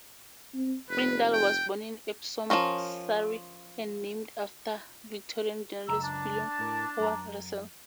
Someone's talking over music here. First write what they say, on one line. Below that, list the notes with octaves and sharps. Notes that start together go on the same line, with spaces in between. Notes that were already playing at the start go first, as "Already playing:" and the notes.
Frindall was born in Epsom, Surrey and named after Victorian journalist William Howard Russell.
C4
F1 B4
G5
F3 A3 C#4 A#4
C#2 F#2 A#5 E6
D4 A5
A2 A#4
F#2 A#5